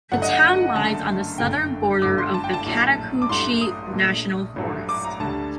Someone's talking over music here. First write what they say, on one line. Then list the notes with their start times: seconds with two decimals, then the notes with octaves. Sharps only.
The town lies on the southern border of the Chattahoochee National Forest.
0.12 G1 G2 D3 F#3 A3 F#5
0.22 D#5
0.32 F#5
0.75 F#1 F#2 D3 A3 A5
1.38 G1 F#2 D3 A3 G5
2.02 G1 G2 D3 F#3 A3 D6
2.18 C6
2.34 A5
2.44 G5
2.53 A5
2.66 A#1 A2 F#3
3.22 D6
3.29 A1 G2 F#3 A3 C6
3.61 D#6
3.93 A#1 A#2 A3
4.56 A1 G2 F#3 A3
4.89 D6
5.04 A#5
5.19 D2 D3 G3 A5